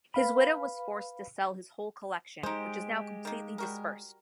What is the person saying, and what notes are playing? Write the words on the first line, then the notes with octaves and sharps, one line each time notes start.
His widow was forced to sell his whole collection, which is now completely dispersed.
B4 F5 B5
G#3 D#4 G4 C5
D#3 A#3
G3 F#4 A#4